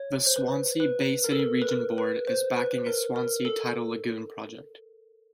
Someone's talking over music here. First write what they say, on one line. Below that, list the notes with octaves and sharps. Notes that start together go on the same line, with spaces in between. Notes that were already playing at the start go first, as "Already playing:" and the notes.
The Swansea Bay City Region Board is backing a Swansea Tidal Lagoon project.
Already playing: C#5
C5
B4
B4
A#4
A4
A#4
B4
A#4
B4
C5
B4
A#4
A#4
A4